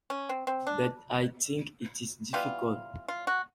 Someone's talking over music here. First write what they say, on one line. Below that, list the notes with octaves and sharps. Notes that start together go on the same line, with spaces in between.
But I think it is difficult.
C#4
C4
C4
D4
E3 G3 B3 F4
F4
F#4